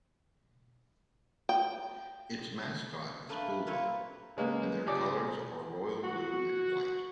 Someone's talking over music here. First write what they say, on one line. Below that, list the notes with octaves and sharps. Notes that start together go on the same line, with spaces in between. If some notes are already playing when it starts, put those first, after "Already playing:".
Its mascot is Bulldog and their colors are royal blue and white.
G5
A3 A#3 D4 B4
A#3 C4 F4 B4 C#5 E5
C#3 G#3 A#3 B3
C#2 G4 G#4 C#5 D5 D6
F#4